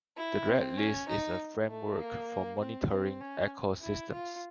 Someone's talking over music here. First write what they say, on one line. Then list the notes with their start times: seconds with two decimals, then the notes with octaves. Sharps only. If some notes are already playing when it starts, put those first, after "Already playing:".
The Red List is a framework for monitoring ecosystems.
0.17 E4
0.48 C4
0.78 C#4
1.08 D#4
1.69 A3
1.99 A#3
2.60 C4
2.90 C4
3.21 C#4
3.81 E4
4.12 F4